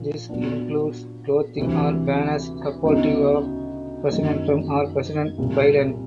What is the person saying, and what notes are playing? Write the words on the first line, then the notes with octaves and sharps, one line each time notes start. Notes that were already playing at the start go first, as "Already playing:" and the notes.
This includes clothing or banners supportive of President Trump or President Biden.
Already playing: A#2 F3
A#2 F#3 B3 D4
D2 C3 E3
D2 C#3 F#3 B3 D#4
F#2 D#3 F#3 A#3 D#4
C2 A#2 G3